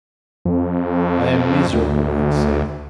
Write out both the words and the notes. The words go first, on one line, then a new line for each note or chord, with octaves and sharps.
"I am miserable," he said.
F2
D2